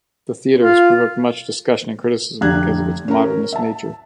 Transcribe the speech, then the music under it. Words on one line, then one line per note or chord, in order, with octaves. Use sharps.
The theater has provoked much discussion and criticism because of its modernist nature.
F4
F1 D3 G4 A#5 F#6 G#6
C#4 A#4 A#5
E5 A5